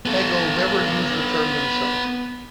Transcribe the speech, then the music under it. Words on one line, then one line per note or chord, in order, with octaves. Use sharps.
Hegel never used the term himself.
B3 A4